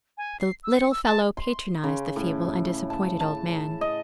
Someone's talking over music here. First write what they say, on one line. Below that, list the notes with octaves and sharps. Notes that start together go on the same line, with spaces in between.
The little fellow patronized the feeble and disappointed old man.
G#5
C7
E6
C#7
E6
A5
C6
C#3
A2
A5
A5
D#5